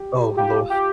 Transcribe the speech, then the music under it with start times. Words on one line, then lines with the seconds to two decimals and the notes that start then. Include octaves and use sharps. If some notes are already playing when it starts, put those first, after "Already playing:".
Oh, hello.
Already playing: G4
0.15 G4
0.37 F4 G4
0.70 F4 G4